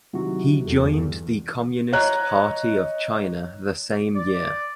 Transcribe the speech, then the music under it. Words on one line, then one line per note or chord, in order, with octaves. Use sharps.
He joined the Communist Party of China the same year.
C3 D#3 E3 F#3 F#4
E2 G2 G4 A4
C#5 D#5 A#5 F#6
D5